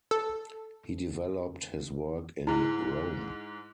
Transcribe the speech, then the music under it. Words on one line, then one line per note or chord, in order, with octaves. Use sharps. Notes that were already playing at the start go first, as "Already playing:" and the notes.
He developed his work in Rome.
A4
G#2 G#3 E4